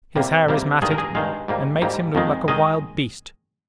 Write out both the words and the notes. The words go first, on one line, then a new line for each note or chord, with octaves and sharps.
His hair is matted, and makes him look like a wild beast.
C3 G3 A#3
C3 G3 A#3
G2 D#3 G#3 G#4
A#4
G#4
G2 D#3 G#3 F5
G#2 G3 A#3
G#2 G3 A#3
F2 D#3 G#3
D#3 G#3 D#5